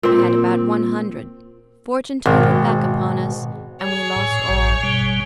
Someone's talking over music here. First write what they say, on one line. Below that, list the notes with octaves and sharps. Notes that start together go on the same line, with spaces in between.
I had about one hundred. Fortune turned her back upon us, and we lost all.
A#2 C4
G#1 B2
G#4 C#5
A2
A1 G2
B2 G3